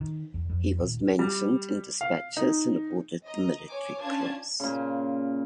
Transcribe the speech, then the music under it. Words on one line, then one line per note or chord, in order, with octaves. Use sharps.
He was mentioned in despatches and awarded the Military Cross.
D#3
E2
F2
D#1
G3
F5
D#4
D#5 A#5
C#5 G#5 D6
C#4 D4 F4 A5 G#6
A#2 C#3